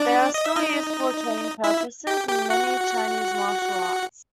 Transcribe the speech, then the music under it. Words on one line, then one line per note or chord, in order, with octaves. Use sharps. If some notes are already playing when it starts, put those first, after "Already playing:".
They are still used for training purposes in many Chinese martial arts.
Already playing: D4 D5
D#5
E5
D#4 D#5
E4 E5
G4 G5
G4 G5
F#4 F#5